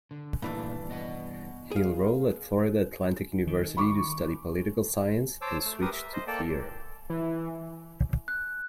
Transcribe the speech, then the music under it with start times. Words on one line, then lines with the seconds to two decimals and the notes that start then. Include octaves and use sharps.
He enrolled at Florida Atlantic University to study political science and switched to theatre.
0.11 D3
0.42 G2 A#2 D#3 E3 A3 D4
0.89 B3 D#5 F#5
1.71 G#4 F5
3.47 D#3
3.77 B5 C#6 D6
5.41 C5 C#5 A5 D6 E6
5.65 A3
5.81 G4 A#4 B4 D#6
5.93 E5
6.13 C5 D#5
6.27 A#3 A4 D5 G5 A5
7.10 E3
8.28 F#6